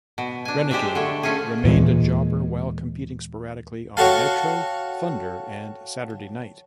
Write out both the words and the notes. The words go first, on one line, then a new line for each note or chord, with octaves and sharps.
Renegade remained a jobber while competing sporadically on "Nitro", "Thunder", and "Saturday Night".
B2
D4 G#5
G#3 G4 C5 D5 E5
D3 A3 C#5
A3 C#4 F4 G#4
D#2 A#2 E3 G#3
F#4 A4 C#5 F5 G5 A5